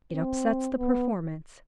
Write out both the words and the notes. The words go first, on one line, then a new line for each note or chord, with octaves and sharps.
It upsets the performance.'
C4
B3